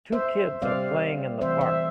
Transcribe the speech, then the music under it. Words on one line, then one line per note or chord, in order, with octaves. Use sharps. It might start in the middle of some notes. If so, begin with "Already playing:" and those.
Two kids are playing in the park.
C5 E5
C3 G3 C4 D5 F5
E3 A3 C4 C5 E5
C5 E5